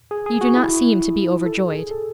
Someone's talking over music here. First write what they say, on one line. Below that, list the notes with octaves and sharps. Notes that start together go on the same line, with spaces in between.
'You do not seem to be overjoyed.'
G#4
G#4
F#4
E4
A4
G#4
A4